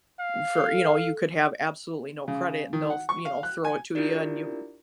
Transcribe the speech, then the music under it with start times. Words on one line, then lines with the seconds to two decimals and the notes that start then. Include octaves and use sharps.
for, you know, you could have absolutely no credit, and they'll, you know, throw it to ya, and you
0.20 F5
0.55 A4
2.28 C#3
2.73 D#3
2.90 F#5
3.09 C#6
3.25 F5
3.43 F#6
3.65 G#5
3.95 D4 E4 F4 G4 A#4 D5